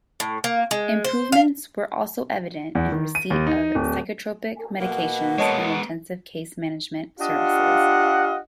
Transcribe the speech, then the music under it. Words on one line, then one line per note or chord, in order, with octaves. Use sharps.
Improvements were also evident in receipt of psychotropic medications and intensive case management services.
A2
A#3
G#3
C5
F5
E2
D#3
D#7
D#2
D#4
D1
B2 A#3 F#5
G#3 B3 C#5 D#5 A5
D4 F4 G4 D#5 F5 F#5